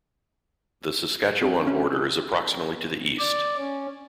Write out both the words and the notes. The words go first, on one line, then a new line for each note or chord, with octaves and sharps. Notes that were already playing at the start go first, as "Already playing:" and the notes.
The Saskatchewan border is approximately to the east.
C4
C#4
D5
C#4